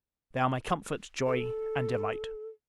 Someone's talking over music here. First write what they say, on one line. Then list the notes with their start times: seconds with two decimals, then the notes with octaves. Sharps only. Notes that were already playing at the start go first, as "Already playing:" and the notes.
They are my comfort, joy, and delight.
1.26 A4